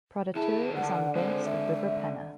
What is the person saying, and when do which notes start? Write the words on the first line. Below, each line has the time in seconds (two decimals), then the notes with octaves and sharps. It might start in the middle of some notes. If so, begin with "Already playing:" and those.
Proddatur is on the banks of river Penna.
0.35 D#2 E4 G#4 A5
0.75 D3 F#5
1.15 G#3 C4 C5
1.45 E5